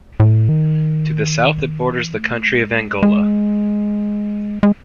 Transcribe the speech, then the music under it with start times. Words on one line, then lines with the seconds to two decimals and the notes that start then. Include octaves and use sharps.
To the south it borders the country of Angola.
0.20 A2
0.49 D#3
1.89 E3
2.17 A3
2.47 G#3
3.03 G#3
4.63 G#3